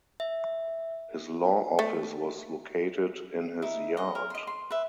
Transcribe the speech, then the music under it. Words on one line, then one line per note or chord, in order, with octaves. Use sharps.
His law office was located in his yard.
E5
A3
D#4 E4
D#5 F#5
A#4
D#5 C6
C6
B4 E5